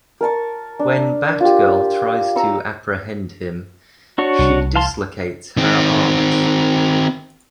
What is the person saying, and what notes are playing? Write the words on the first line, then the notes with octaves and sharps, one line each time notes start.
When Batgirl tries to apprehend him, she dislocates her arms.
A#4 A5 C#6
D4
F4 G4
A#5 C#6 E6
D4 F#4 C#5
C2
F5 A5 C6
D#3 C4